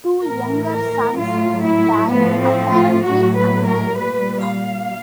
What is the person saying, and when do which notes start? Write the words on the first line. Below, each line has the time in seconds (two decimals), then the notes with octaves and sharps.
Two younger sons died apparently unmarried.
0.24 A2 E3 A3 A#4
0.71 A#4
1.18 A2 F#3 A3 F4
1.65 E4
2.11 A2 F3 A3 B3
2.42 C4
2.74 F4
3.05 A2 F#3 A3 F#4
3.36 B4
3.67 A#4
3.98 A#2 G3 B4
4.45 F5